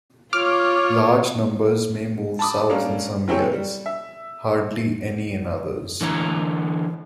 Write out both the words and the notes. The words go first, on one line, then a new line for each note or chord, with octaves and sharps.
Large numbers may move south in some years; hardly any in others.
F4 C#5 D6 F6
A5 B5 D6 D#6
G3 A#3 C#4 D4 A4
F#3 C4 E4 G4 G#4 C#5
G3
E5
D3 E3 C#5 A#5